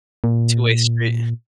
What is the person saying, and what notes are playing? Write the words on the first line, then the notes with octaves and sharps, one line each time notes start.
two way street.
A#2